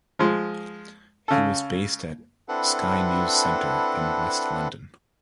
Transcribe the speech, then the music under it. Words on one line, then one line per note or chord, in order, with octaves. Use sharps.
He was based at "Sky News Centre" in West London.
F3 G#3
C#3 A4
C4 D4 E4 A4 B4 F#5